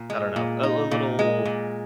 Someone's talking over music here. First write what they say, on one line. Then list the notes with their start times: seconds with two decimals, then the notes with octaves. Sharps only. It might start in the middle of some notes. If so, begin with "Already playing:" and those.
I don't know, a l little,
Already playing: A#2
0.10 G#3
0.36 A#2
0.63 D#4
0.91 A#2
1.19 G#3
1.45 A#2